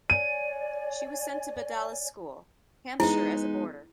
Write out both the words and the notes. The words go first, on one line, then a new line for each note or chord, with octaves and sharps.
She was sent to Bedales School, Hampshire as a boarder.
C#5 D5 G#5 D#7
G#3 B3 D#4 E4